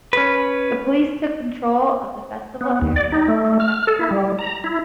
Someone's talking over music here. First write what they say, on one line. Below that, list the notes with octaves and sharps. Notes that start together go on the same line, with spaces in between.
The Police took control of the festival area and the festival was cancelled.
C#4 B4
B3
D#2
D5
D#4
A3
F6
A4
E4
G3
A#5
E4